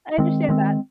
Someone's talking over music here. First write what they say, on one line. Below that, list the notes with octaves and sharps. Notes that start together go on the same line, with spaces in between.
I understand that.
D#3 G#3 C4
D#3 G#3 C4